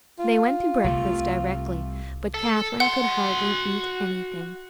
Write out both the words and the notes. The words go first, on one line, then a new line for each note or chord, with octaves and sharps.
They went to breakfast directly; but Catherine could hardly eat anything.
F4
C2 C3 A3
A4
F#4 F#5 C6